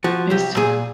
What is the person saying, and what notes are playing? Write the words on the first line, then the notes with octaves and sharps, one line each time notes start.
It's to
F3 F#4
C2 G4
A#2 G#4